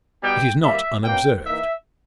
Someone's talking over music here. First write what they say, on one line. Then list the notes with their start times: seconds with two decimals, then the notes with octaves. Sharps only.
It is not unobserved.
0.23 B2 G3 B3 D#4 G5
0.64 D#3 G3 A#3 E5
1.04 B2 A#3 C#4 G5
1.45 E3 A#3 D#4 E5